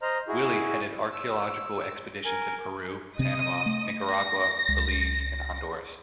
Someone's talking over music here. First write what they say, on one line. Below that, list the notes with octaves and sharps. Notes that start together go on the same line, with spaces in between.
Willey headed archaeological expeditions in Peru, Panama, Nicaragua, Belize and Honduras.
C5 D#5 A#5 F6
E4 F#4 G#4
E6
A#4 G#5
C3 C4 D#5 D#6
A3
A#6
C#2